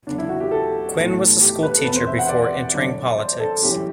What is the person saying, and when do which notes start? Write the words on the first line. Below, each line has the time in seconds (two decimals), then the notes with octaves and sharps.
Quinn was a schoolteacher before entering politics.
0.07 F#1 E2 D3 D4
0.18 E4
0.29 F#4
0.40 G4
0.51 A4
0.95 B1 A2 E3
1.40 G4
1.63 B4
1.78 A4
1.85 E1 E2 C3 B4
1.96 C5
2.07 E5
2.19 F#5
2.29 D5
2.74 G1 F#2 D3
3.18 C5
3.40 A4
3.62 G1 F#2 E3 G4